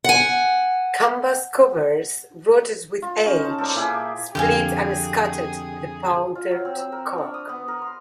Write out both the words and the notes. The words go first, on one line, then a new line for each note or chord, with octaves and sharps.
Canvas covers, rotted with age, split and scattered the powdered cork.
F#5 G#5
F4
C#4 D#4
A5
A4 A#4 C5 D5
A#2 E4 G4 G#4
F2 D3 G4 G#4 F5 G#5
F4
F#3
C4
E6
A#4
C#6
D4
D#6
B3
A#4
C6